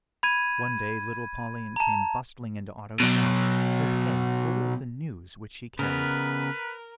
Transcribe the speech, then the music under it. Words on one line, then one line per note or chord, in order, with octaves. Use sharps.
One day little Pauline came bustling into Otto's cell, her head full of the news which she carried.
B5 G#6 D#7
A5 A#5
B2 F#3
C#3 B3 A#4 B4